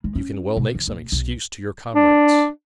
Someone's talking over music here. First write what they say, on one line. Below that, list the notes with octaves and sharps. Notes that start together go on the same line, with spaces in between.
You can well make some excuse to your comrades.
G#3
C#4
B2
F3
A#1
B1
D4